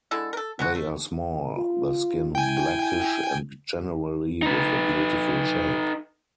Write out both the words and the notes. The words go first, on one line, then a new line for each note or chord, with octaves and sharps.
They are small, the skin blackish and generally with a beautiful shape.
D3 G#3 E4 A4
A4 A#4
F#3 G#3 F#4
A3
F4
E4 G5 G#5
D#4 B4